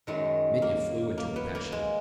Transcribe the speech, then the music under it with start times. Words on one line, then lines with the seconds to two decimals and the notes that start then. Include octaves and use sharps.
Mitya flew into a passion.
0.07 F#2 D#3 F#3 G#3
0.62 A#3
1.18 A#3
1.36 B3
1.55 A#3
1.72 G#3